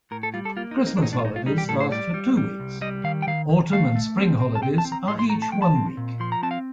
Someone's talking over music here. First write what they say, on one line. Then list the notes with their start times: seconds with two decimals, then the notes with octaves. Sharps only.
Christmas holidays last for two weeks, autumn and spring holidays are each one week.
0.11 A2 A#4
0.23 A4
0.34 G3 F4
0.45 A4
0.57 A#3 F4
0.71 D#4
0.79 A#3
0.87 D#4
0.97 D4
1.02 A2 D#4
1.13 D4
1.19 F4
1.24 A2 D#4
1.36 F4
1.46 G3 D#4
1.58 G4
1.69 A2 A4
1.80 C5
1.91 G3 D5
2.14 G3
2.37 G3
2.60 C2
2.81 G3 D#5
3.04 D#3 F5
3.22 G5
3.27 D#3 F5
3.49 D#3
3.73 A3 F5
3.96 A3
4.18 C4
4.40 C4
4.55 A5
4.62 C4 G5
4.78 A5
4.85 C4
4.92 A#5
5.08 A2 C6
5.19 C6
5.30 A3 A#5
5.42 A5
5.52 F3 G5
5.62 A5
5.75 C4
5.97 A#2
6.20 F3 C6
6.32 A#5
6.43 C4 A5
6.51 F5